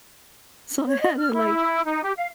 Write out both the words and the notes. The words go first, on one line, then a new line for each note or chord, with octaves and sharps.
so I had to, like
C#5
D#5
F6
E4
D#4
G4
F5